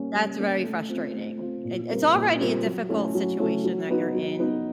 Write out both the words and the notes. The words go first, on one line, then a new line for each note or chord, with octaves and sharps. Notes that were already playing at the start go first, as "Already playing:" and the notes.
that's very frustrating, and it's already a difficult situation that you're in,
Already playing: G3 A#3 C#4
G3
A#3 C#4
A3
C4 F4
A3
C4 F4
A#2
G3 C4 F4 A#4
A#2
G3 C4 F4 A#4
F#3
A3 C#4 E4 A4
F#3
A3 C#4 E4 A4
F#3
B3 D#4 F#4 B4
F#3
B3 D#4 F#4 B4